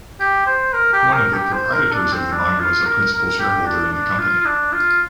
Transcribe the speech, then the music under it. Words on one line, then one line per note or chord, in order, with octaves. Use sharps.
One of the proprietors of the mine was a principal shareholder in the company.
G4
C5
A#4
G4
A#4
G4
C5
A#4
D4
C4
D4
F4
A#4
A#4
G4
D4
D4
F4
F4
D4
F4